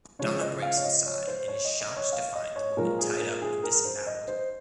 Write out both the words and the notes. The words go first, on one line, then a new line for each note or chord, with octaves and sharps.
Donna breaks inside and is shocked to find the woman tied up and disembowelled.
C#3 F3 G#3 C#5
D#5
D#5
F5
C#5
D#5
C#5
C5
C#5
D#5
D#5
C#5
F5
D#5
C#5
A#2 F3 G#3 A#4
G#4
A#4
G#4
A#4
C5
D#5
C5